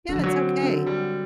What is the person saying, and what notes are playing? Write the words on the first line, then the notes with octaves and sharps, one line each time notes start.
Yeah, it's okay.
D3 F#3
F3
F#3
C4
D3
G3